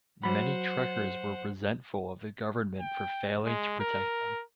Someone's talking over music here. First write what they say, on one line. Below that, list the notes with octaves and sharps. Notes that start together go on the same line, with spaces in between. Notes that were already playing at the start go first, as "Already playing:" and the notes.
Many trekkers were resentful of the government for failing to protect them.
F#3 C5 F#5 B5
G5
G#3
A#4